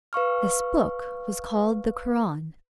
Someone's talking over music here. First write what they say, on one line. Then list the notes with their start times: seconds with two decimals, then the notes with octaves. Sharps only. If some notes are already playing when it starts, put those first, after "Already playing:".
This book was called the Koran.
0.13 B4 F5 C#6 F6